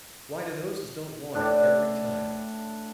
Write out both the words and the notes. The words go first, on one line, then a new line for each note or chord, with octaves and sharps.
Why, to those as don't want it, every time.
A2 D4